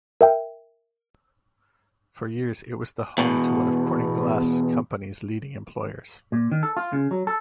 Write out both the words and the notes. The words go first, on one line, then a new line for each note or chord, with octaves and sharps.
For years it was the home to one of Corning Glass Companies leading employers.
A#4 E5 G5
E2 B2
A#2
D#3
A4
F4
C#3
F#3
A4